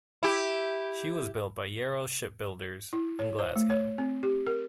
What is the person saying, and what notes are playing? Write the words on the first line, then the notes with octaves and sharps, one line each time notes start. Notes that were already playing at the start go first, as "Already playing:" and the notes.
She was built by Yarrow Shipbuilders in Glasgow.
E4 G4
E4
C#5
C5
A3
C#5
C4
G4
A#4